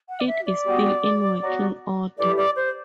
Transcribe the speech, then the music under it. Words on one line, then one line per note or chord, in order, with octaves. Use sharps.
It is still in working order.
F#5
D5
E5
D5
G3 B3 F#4
F#3 B3 F#4
E3 A3 E4 G4 D5
D5
C5